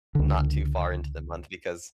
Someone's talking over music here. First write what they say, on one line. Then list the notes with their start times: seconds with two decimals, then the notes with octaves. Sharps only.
not too far into the month because,
0.15 C#2 D3